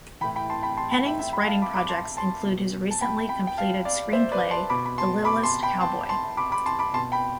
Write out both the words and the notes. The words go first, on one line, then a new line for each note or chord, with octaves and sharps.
Hennings' writing projects include his recently completed screenplay, "The Littlest Cowboy".
A2 E3 G5 B5
G5 B5
A5 C6
G5 B5
A5 C6
G5 B5
E5 G5
E5 G5
G5 B5
F5 A5
B5 D6
B5 D6
A5 C6
A5 C6
B2
A5
G5 B5
G5 B5
G5
F5 A5
D5 F5
C5 E5
B4 D5
A5 C6
B2 B5 D6
B5
A5 C6
B5 D6
A5 C6
G5 B5
A5 C6
A5 C6
B5 D6
B5 D6
A5 C6
B5 D6
B2 A5 C6
G5 B5